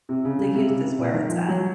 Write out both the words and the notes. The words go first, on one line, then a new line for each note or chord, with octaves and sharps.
The youth is where it's at.
C3
C#3
C#3
C3
C#3
C3
A#2
D#3
F3
F#3